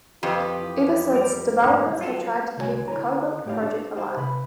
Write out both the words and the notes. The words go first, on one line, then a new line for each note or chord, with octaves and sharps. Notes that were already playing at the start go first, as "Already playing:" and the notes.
Ever since developers have tried to keep the Cobalt project alive.
F2 F4 G4 B4
E3
G3 A#4
D2 G#2 D3 G#3
F3 F#3 F4 A4
C2 D3 A3 F#4 C#5 G#5
D3 E4 C#5 G#5 A#5
A2 A3 G4 C#5 F5
D4
D#4 G4 C5 F5
C3 B4 B5